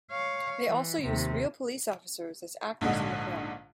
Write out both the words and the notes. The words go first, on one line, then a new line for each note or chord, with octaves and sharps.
They also used real police officers as actors in the film.
C#5 F5
E3
D#2 C3
A#1 G#2 D3 D#5